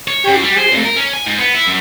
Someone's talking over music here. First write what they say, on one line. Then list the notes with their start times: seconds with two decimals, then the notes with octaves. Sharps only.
So, it's very interesting.
0.08 C#5
0.28 F#2
0.43 G3
0.58 C5
0.72 F2
0.85 A#4
0.97 C#4
1.14 G#5
1.27 G#2
1.39 B3
1.54 E4
1.67 F#2